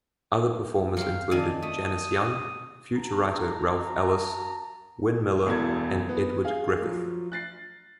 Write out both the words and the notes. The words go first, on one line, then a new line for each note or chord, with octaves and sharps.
Other performers included Janis Young, future writer Ralph Ellis, Wynne Miller, and Edward Griffith.
F#3 C4 F5
D#3 D4 G#5
A3 D#6
F#4 A5 A#5
E1 E2 A4 G#6
B3
G#4 F5
F3 F#3
F#6 A6 C7